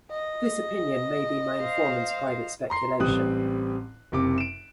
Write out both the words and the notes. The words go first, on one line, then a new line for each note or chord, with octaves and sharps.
This opinion may be my informant's private speculation.
D#5
C5 F5
A#5 C6 C7
A1 G3 C4 D#6 F#6
F#1 C3 D6
D7 E7